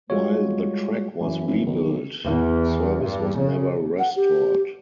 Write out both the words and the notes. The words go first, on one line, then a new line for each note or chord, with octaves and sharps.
While the track was rebuilt, service was never restored.
G3 G#3 F4 F#4 C#5
F#2 E3
F1
B1 D#3
B1
E2
G2
C#3
F#5
G4